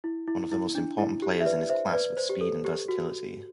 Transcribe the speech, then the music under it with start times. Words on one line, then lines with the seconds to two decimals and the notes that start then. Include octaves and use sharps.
One of the most important players in his class with speed and versatility.
0.04 E4
0.27 E4
0.52 E4
0.75 D4
0.99 E4
1.22 G4
1.41 E5
1.46 B4 D5
1.70 C5 E5
1.93 B4 D5
2.17 C5
2.29 G4
2.41 A4
2.65 G4
2.88 F#4